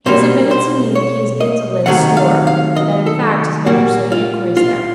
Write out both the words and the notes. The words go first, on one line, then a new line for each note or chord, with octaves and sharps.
He has admitted to me that he has been to Lyne's Store and in fact has been pursuing inquiries there.
B2 G3 A#3 C5
C5
C#5
D#5
C3 D#3 F#3 A3 F#5
F5
F5
D#5
A4
A#2 G3 A#3 F#4
F4
F4